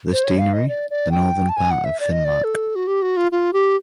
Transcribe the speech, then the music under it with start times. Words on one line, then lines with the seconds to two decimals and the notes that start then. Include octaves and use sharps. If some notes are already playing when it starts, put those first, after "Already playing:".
This deanery the northern part of Finnmark.
0.13 C5
0.24 C#5
0.38 F5
0.53 D#5
0.68 D5
0.90 D5
1.11 G5
1.49 A5
1.56 G#5
1.71 F#5
1.85 E5
2.00 D5
2.12 D#5
2.25 D5
2.44 A4
2.75 F#4
2.87 G4
3.02 F#4
3.17 F4
3.32 F4
3.53 G4